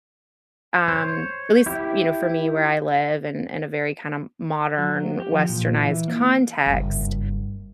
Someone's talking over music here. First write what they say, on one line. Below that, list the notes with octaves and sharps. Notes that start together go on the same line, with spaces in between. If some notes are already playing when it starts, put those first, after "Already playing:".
um, at least, you know, for me where I live in in a very kind of modern, westernized context,
C5 C#5
E4 G4
F#3
F#3
G4
F3
A#2
E3
A#3
F#1 G2